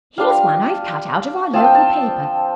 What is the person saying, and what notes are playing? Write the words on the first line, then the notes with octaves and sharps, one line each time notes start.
Here's one I have cut out of our local paper.
G3 D4 F4 F5
F3 C4 F4 A5
G5
A5